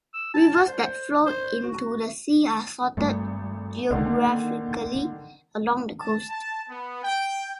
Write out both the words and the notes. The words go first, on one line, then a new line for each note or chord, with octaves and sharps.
Rivers that flow into the sea are sorted geographically, along the coast.
E6
A5
C5
C5
F#4
G#1 G2 A3
C2 D3 D#3
A#3
A5
A5
B3
G5